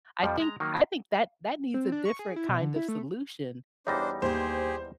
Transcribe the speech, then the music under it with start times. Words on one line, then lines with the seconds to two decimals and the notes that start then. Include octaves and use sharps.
I think I think that that needs a different kind of solution
0.23 F2 F3 G3
0.40 G#3 A#5
0.60 D#3 F#3 A#3
1.74 C4
1.92 D4
2.05 C#6
2.19 G#4
2.36 E4
2.49 B2
2.61 D3
2.76 E4
2.88 A3
3.87 E2 G3 D4 D#4 C5 C#5 A#6
4.22 D#2 G4 G#4 C5